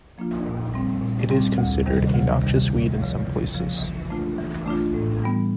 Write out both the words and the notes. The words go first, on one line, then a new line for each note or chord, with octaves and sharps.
It is considered a noxious weed in some places.
F3 A#3 D4 F4
A#2
G3 C4
A#2
G3 C4
D2
C3 D#3 G3
D2
C3 D#3 G3
E2
C#3 F3
E2
C#3 F3
E3
A3 D4 F4
E3
A3 D4 F4
A2
E3 G3 B3